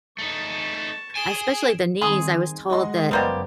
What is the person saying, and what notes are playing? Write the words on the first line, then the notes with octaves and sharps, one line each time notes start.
Especially the knees, I was told that
A3 D#4 A5 C#6
G#4 G#5 D7 E7 G7
D#3 G3 C4 G#4 C6
G#3 F#4 D#5 C6
F#1 F#2 G3 A#3 B3 G4 C5 D5